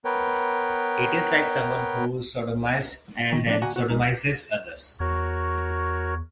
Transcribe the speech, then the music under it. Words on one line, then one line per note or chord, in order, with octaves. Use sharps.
It is like someone who is sodomised and then sodomises others.
B3 A#4 B4 C#5 G5
D#3
F3 A#3 D4
D2 A#3 F#4 F#5 G#5
F#4
G#3 D#4
E2 F#4 A#4 C#5